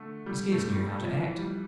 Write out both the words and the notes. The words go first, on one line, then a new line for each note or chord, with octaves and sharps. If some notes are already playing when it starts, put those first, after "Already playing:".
He scarce knew how to act.
Already playing: D3 A3
G3
A3
G3
F3
E3
G3